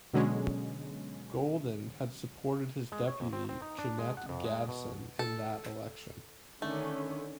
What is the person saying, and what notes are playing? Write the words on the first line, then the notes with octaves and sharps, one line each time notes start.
Golden had supported his Deputy Jeannette Gadson in that election.
B2 D3 F#3 G#3 C#4
G#3
C#5
F2
C4
C4
D#4
D4
G#3
F#5
F2
G#3
B2
A4
D3 D#3 A3 C#4